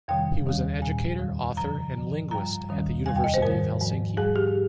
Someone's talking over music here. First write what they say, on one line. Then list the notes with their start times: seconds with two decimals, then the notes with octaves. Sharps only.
He was an educator, author and linguist at the University of Helsinki.
0.08 F2 C3 D#3 G3 G5
0.46 D#2 D#3 G3
0.82 A#2 G3 G#5
1.19 F2 D#3 G3
1.56 F2 C#3 F3 A#5
1.94 G#2 F3
2.31 G2 G3 A#5
2.69 D#2 D#3 G3
3.06 F2 C3 G3 G#5
3.16 G5
3.24 D#5
3.34 C5
3.42 G#2 D#3 G3 A#4
3.81 G#2 F3
4.17 G#2 G3 G#4
4.36 G4